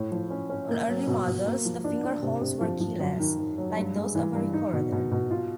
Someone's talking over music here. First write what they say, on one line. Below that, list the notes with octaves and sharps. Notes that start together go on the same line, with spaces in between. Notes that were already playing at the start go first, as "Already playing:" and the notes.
On early models, the fingerholes were keyless, like those of a recorder.
Already playing: A2
F3
C#4
C#4
A#3
F#3
B2
B2
A#3
F3
D4
D4
C3
C3
F3
F3
F#2
D#3
D#3
F#3
G2
G#3
E3
G2
D#4
B2
B2
B2
F4